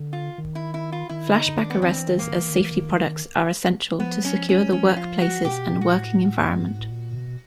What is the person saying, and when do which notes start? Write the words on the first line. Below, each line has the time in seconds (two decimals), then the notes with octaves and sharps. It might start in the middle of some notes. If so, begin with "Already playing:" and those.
Flashback arrestors as safety products are essential to secure the workplaces and working environment.
Already playing: D3
0.13 F4
0.38 D#3
0.55 E4
0.74 E4
0.92 F4
1.09 D#3 E4
1.28 D3
1.34 D#4
1.46 D3
1.58 D4
1.64 D#3
1.70 B3
1.75 E3
1.82 D#3 C4
1.97 E3
2.08 D#3
2.18 E3 A#3
2.29 D#3
2.40 E3
2.50 D#3
2.60 E3
2.71 D#3
3.99 F3 B3
4.18 F#3
4.25 C#4
4.37 F3
4.49 C#4
4.54 F#3
4.72 F3 C#4
4.96 F4
5.21 F#4
5.44 B2 G4
5.69 A#2
5.81 F#4
5.93 A2
6.44 F#2
6.55 G2
6.66 G#2
6.79 A2
6.90 A#2
7.15 B2